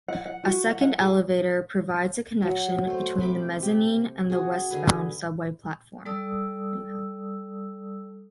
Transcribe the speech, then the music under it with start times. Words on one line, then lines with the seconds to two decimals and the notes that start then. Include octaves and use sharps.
A second elevator provides a connection between the mezzanine and the westbound subway platform.
0.08 F#5
0.26 F#5
0.44 F#4
0.67 F#5
0.81 F#5
0.98 G#4
2.42 F#3
2.87 A3 C5
3.20 C3 B5 D6
3.63 G4
4.30 F#4 G#4
4.71 D3 G#4 B4
6.05 G3 A4 D5 A5 D#6 E6